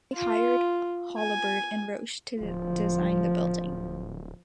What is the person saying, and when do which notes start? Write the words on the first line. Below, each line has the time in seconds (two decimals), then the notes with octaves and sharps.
They hired Holabird and Roche to design the building.
0.15 F4
1.18 G#5
2.41 D1 F3